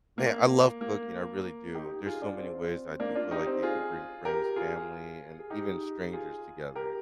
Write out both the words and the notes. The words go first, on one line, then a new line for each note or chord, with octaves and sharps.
Man, I love cooking, I really do. There's so many ways I do feel like it can bring friends, family, and even strangers together.
A#3
A#3
D#4 G4
F4 G#4
D4 F4
C4
A#3 D4
D4 F4
D#4 G4
C4
F4 G#4
G4 A#4
F4 G#4
G#4
D#4 G4
F4 G#4
G4 A#4